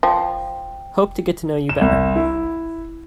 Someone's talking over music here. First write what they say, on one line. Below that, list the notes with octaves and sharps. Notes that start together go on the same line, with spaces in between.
Hope to get to know you better.
F3 G5
E7
C2
E4